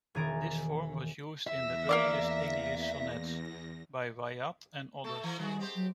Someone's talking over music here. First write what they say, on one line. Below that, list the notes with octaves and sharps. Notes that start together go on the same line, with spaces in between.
This form was used in the earliest English sonnets by Wyatt and others.
E1 D#3 G#5 A#5 A6 D7
E2 E5 A#6
A#3 E4 D5 D6
A3 A4
E3
D#3 G3 G#3 F#4
C4 G4 C5
F#3